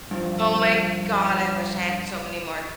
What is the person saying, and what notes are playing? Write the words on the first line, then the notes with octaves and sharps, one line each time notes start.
Oh my God, I wish I had so many more
G2 F3